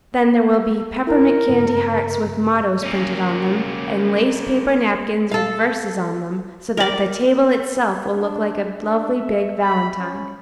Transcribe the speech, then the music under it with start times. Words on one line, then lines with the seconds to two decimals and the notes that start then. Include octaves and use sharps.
Then there will be peppermint candy hearts with mottoes printed on them, and lace-paper napkins with verses on them, so that the table itself will look like a lovely big valentine.
1.07 E4 A#4
1.49 G2 C#3
2.83 A#3 C#4
5.31 A4 F5
6.77 A#4 D5
8.15 D4
8.79 D4
9.14 E5
9.62 B5
9.99 C#4